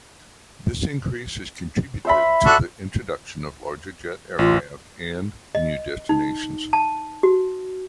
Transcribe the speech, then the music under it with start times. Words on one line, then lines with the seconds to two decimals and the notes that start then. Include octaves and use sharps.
This increase is contributed to the introduction of larger jet aircraft and new destinations.
2.05 C5 E5 B5
2.46 D4 F#4 A4
4.39 A1 F4
5.55 D#5
6.09 D#4
6.73 A5
7.23 F#4